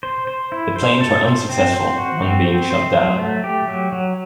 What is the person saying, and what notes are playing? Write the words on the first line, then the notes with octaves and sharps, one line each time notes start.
The planes were unsuccessful, one being shot down.
C5
C5
E4
C5
A4
C5
C4
C5
F#4
C4
C4
C5
F#3
A3
G4
F#3
F#3